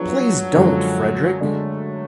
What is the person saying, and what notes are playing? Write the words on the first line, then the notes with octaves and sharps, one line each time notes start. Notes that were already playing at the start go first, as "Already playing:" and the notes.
Please don't, Frederick!
Already playing: F3 F#3 B3 D4 G#4
F#2 D3 F3 G#3
D3 F#3 G#3 A3 D4